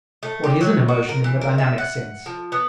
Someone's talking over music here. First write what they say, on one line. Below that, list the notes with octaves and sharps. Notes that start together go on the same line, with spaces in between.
What is an emotion in the dynamic sense?
A3
G4
F#3
F#4
A#4
E3
A#4
E5
F#5
F3
B3